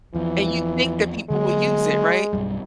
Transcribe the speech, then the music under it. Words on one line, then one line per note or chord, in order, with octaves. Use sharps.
and you think that people will use it, right?
E2 E3 F3
D3 F#3 G#3 A#3
B1 G2 G3